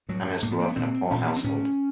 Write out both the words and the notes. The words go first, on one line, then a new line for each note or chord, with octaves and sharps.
Ames grew up in a poor household.
A2 F#3
A2 A#3
B3
A#3
B3
A#2 C4
A#2 C#4
C4
B3
C4
A2 C#4